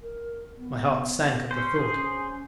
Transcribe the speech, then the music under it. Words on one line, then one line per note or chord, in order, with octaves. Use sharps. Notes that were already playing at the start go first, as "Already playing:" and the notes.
My heart sank at the thought.
A#4
B3
C#4 C5
F#4 G#4 C5
C#4